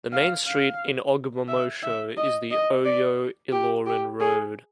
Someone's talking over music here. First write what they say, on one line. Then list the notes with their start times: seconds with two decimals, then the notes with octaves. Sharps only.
The main street in Ogbomosho is the Oyo-Ilorin road.
0.12 F5
0.46 F5
1.48 E5
1.83 E5
2.17 D#5
2.51 D#5
2.85 D5
3.52 G4
3.86 G4
4.20 G#4